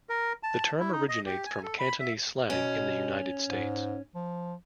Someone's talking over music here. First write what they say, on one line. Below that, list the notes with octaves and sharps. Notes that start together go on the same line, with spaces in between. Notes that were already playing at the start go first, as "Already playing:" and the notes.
The term originates from Cantonese slang in the United States.
A#4
A5
E4
D#4
D#5
G4
G#5
A4
B5
E5
B2 C#4
G#2
F3